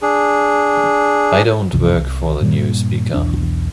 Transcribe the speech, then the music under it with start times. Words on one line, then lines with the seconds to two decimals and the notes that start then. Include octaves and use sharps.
I don't work for the new speaker.
0.02 D4 G#4
1.73 C2 F#2 C3 E3
1.94 C2
2.41 G2 A#2 G3
3.14 B1 E2 D4